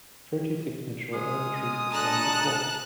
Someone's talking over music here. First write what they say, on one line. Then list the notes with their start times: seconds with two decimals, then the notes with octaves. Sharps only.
Thirty-six mature elm trees line the Quad.
1.13 G#3 G#5 D#6 F6
1.91 D4 A4 A5 A#5 F#6